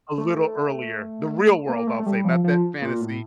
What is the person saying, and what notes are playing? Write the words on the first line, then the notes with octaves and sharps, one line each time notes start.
a little earlier. The real world, I'll say, not that fantasy
A3
A#3
A3
A3
G3
F3
F3
A#2
A2